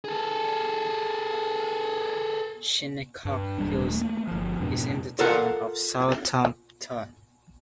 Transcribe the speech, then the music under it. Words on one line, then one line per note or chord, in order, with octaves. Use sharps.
Shinnecock Hills is in the Town of Southampton.
G#4 A4
G2
D#1 G2 G3 D4
A3 A#3
G1 F3
F2 G#2 B2 D4
F4 A4 A#4 F5 F#5